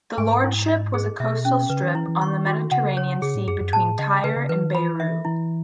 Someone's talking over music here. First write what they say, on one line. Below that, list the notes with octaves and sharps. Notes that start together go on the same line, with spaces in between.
The lordship was a coastal strip on the Mediterranean Sea between Tyre and Beirut.
G#2 G#5
E4
D#5
G#4
B2 E5
C#4
C#3 B4
D#3
E3 E4
E3
D#3 C#6
F#4
C#3 F#5
C#5
C#3 G#4
A2
F#2 G#4
F#2
A2 A5
C#3 D#5
C#3 B4
C#3
E3 B4
D#3
E3 B5
E5
E3 E4